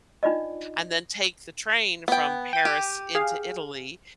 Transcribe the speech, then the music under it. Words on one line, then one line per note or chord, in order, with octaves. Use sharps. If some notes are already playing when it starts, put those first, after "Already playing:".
and then take the train from Paris into Italy,
D4 D#4 F4 D5 D#5
B3 G5
G5 D#7
G4
G#4 F5